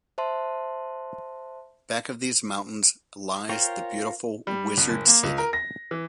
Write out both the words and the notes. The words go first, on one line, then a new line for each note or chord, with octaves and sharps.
Back of these mountains lies the beautiful Wizard City.
C5 E5 A5 C6
F4 A#4 C5 C#5 G5
G3
C2
F#1
A#3
C#2
A#4
A#6
E3